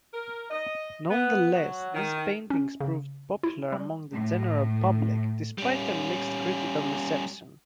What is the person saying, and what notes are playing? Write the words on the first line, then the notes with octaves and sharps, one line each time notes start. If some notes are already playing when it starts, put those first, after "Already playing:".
Nonetheless, these paintings proved popular among the general public, despite their mixed critical reception.
A#4
D#5
B3
F#3
D#3
C#4
C#3
E4
G3
A2
G3 C#4